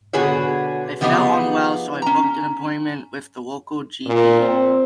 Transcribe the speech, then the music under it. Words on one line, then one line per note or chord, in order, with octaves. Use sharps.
I felt unwell so I booked an appointment with the local G P.
B2 D3 F#4 G#4 B4 C#5
D3 F3 B3 D#4 G4 G#4
C#4 A#5
A#2
C4